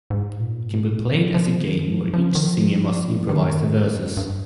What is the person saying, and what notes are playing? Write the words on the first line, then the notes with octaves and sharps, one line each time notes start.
It can be played as a game, where each singer must improvise the verses.
G#2
A#2
G#2
A#2
F3
F3
D#3
F3
F3
D#3
F3
D#3
G2